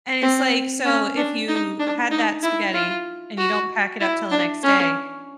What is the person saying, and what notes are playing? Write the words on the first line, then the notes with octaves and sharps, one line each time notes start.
And it's like, so if you had that spaghetti and you don't pack it up till the next day,
C4
C#4
D4
D#4
D4
D#4
E4
F4
F#4
E4
D4
C#4